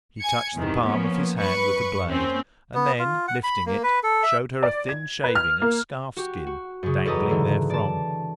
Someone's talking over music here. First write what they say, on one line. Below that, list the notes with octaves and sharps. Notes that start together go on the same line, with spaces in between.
He touched the palm of his hand with the blade, and then, lifting it, showed her a thin shaving of scarf-skin dangling therefrom.
G#5 G#6 C#7
E2 G2 C3 D#3
F3 A#3 B3 C#4
F#2 B4 C#6
A#3 C4 C#4
B3
F4
F#5
B5
A#3
B4
A4
E5
D5
G#6
B4
F6
A#3
F#4 G4
F#4
F#2 C#3
E2 C#4 A4 B4 D#5 A#5
G#2 D3 E3
D5 A5